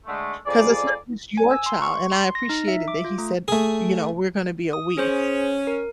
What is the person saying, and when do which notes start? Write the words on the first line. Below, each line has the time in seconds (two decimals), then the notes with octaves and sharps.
'cause it's not just your child, and I appreciated that he said, you know, "We're gonna be a we,"
0.06 D3 G#3 A3
0.46 F2 G#4 D5
1.37 G#5
1.51 E6
1.66 C6
1.82 C#6
2.12 C6
2.35 A#6
2.49 D#4
2.68 E5
2.88 D6
3.04 F4
3.18 A3
3.48 A3 G#4
4.73 D#6
4.97 C#4 G#4 C5
5.67 A#4